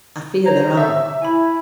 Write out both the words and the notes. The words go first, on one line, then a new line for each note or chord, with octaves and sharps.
I fear there are.
C#3 C5 C#5 A#5
D3 F3 A4 E5
C3
E4 G#5 B5